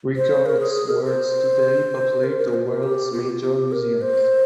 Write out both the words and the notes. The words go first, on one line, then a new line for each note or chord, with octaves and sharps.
Rigaud's works today populate the world's major museums.
C5
A#4
G#4
G#4
A#4
C5
A#4
A#4
C5
A#4
G4
F4
G4
F4
G4
A#4
C5